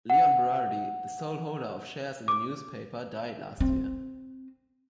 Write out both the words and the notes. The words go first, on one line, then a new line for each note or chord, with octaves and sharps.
Léon Bérardi, the sole holder of shares in the newspaper, died last year.
F#5
D6
C4